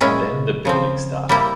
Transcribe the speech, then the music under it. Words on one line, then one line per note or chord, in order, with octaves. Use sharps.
Then the building started.
A#2 G#3 C#4 E4
C#3 F3 C4
G3 A#3 E4